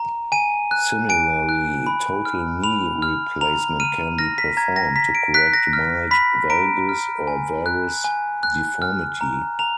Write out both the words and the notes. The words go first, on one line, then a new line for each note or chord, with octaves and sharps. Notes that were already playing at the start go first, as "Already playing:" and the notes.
Similarly, total knee replacement can be performed to correct mild valgus or varus deformity.
Already playing: A#5
G#5 D#7
F#6
G#5 D7
F#6
B5
F6
B5 F7
F6
A#5 F7
F6 D#7
F6 A#6
B6
A#5 G#6
A#6
A#5 B6
D7
F#6 B6
A#6
F6
B5 B6
A#5 D7
F6
G#5
F#6
G#5
F#6
F6
A#5
A#5 F7